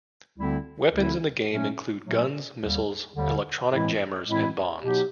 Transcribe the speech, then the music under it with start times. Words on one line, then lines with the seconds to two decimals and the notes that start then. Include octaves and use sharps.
Weapons in the game include guns, missiles, electronic jammers, and bombs.
0.38 D2 D3 G3 C4 E4
0.93 D2 D3 G3 C4 E4
1.49 A#2 F#3 A3 C#4
2.05 A#2 F#3 A3 C#4
2.60 D#2 D3 G3
3.15 D#2 D3 G3
3.71 A2 E3 G#3 C4 E4
4.26 A2 E3 G#3 C4 E4
4.82 B2 F#3 B3 D#4 G4